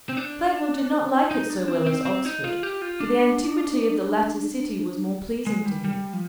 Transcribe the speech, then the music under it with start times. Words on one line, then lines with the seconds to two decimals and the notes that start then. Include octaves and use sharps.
Clerval did not like it so well as Oxford, for the antiquity of the latter city was more pleasing to him.
0.09 C4
0.17 D4
1.31 D#4
1.50 D4
1.68 C4
1.87 C4
2.05 C4
2.25 D#4
2.44 F4
2.63 G4
2.82 F4
3.00 D4
5.47 G#3
5.65 G3
5.84 G3
6.13 F3